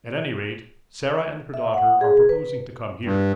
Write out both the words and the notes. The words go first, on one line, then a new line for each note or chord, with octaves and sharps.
"At any rate, Sarah and her daughter are proposing to come here."
E5
F#5
G#4
B4
G2